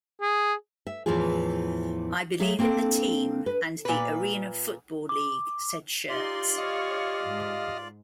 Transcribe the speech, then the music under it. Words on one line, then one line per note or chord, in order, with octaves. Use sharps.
I believe in the team and the Arena Football League, said Shurts.
G#4
E5
E2 A2 E3 F3 F4 G#4
F#3 G#4 E5 F5
A#3 C4 D4 A4
B4
A#2 B4
D6
D#4 F4 G4 D5 C6
C#5 D#5 F5
G#2